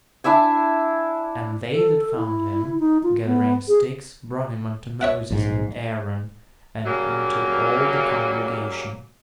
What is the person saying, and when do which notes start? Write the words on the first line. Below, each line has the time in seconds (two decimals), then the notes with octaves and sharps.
And they that found him gathering sticks brought him unto Moses and Aaron, and unto all the congregation.
0.24 D4 E4 E5 G#5
1.72 A4
2.16 E4
2.80 D#4
3.03 F4
3.25 B3
3.68 G#4
5.01 C#5 E5 F#5
5.31 A#1 G#2
6.86 C#3 F#3 G3 A#3